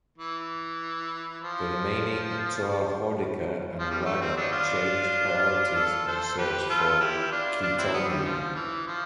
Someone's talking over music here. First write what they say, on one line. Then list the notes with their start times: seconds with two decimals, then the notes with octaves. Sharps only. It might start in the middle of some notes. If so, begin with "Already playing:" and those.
The remaining Toa Hordika and Rahaga changed priorities and searched for Keetongu.
0.18 E3
1.42 F3
3.79 F3
3.90 G3
4.05 A3
4.21 C4
4.37 B3 D4
4.52 D4 F4
5.76 F4 A4
6.08 A4 C5
6.38 G4 B4
6.69 F4 A4
7.01 E4 G4
7.32 D4 F4
7.63 D4 F4
7.78 C4 E4
7.94 B3
8.09 G3
8.25 F3
8.55 E3
8.87 F3